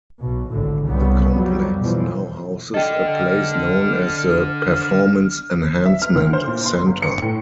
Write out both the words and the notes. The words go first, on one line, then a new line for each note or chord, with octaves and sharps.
The complex now houses a place known as the Performance Enhancement Center.
B1 B2
G#1 A2 D3
C2 C#3 G3 B3
F2 F#3 G3
B2 E3 F3
D4 A4 D#5 G5 F6
E5
F6
D2
C5
A#2
C6
G1
C#7
A2